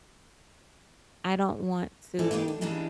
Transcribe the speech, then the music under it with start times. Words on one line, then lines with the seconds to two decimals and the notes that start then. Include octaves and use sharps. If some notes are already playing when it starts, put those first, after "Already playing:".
I don't want to
2.19 F#2 E3 E4 A4 D5
2.31 A#3 D4 D#4 F4 G4
2.48 D4
2.61 C#3 E3 G3 D4 D#4 G#4